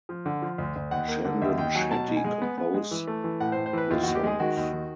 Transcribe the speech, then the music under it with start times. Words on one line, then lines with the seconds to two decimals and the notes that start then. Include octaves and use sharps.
Chandan Shetty compose the songs.
0.09 F3
0.26 D3
0.42 F3
0.58 D2
0.76 D2
0.91 D#2 F#5
1.08 A#3
1.25 D3
1.42 D#2 E5
1.58 D#2 G5
1.75 F#3 G#5
1.91 B2 A5
2.08 B2
2.17 G#5
2.25 G#3
2.42 B3
2.58 B3
2.74 G#3
2.91 E3
3.07 A3
3.24 E3
3.40 A2 F#5
3.52 A2 C5
3.66 C5
3.73 E3 B4
3.90 D#2 F4
4.03 D#2 F#4
4.15 G4
4.24 G#3 G#4
4.40 D#3 F#4
4.57 D#2
4.73 D#3